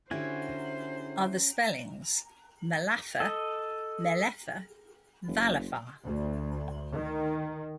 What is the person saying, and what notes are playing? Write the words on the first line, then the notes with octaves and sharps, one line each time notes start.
"Other spellings": Malaphar, Malephar, Valafar.
D3 C#4 E4 F#4 G4 C5 G#5
A4 D#5
F#1
D2
D#3